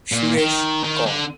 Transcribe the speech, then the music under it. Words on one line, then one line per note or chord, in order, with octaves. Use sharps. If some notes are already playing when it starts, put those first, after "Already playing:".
Suresh Kr.
A#2
D#3
D#3
D3